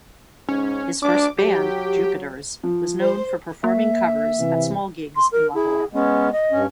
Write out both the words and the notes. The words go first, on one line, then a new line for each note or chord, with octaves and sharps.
His first band 'Jupiters' was known for performing covers at small gigs in Lahore.
G#2 C#4
D4 D6
F#3 G4
F3
C5
A#3 E5
C3 E3
C6
A#4
E4 G#4
G#3 B3 C#4
D#5
G2 C#4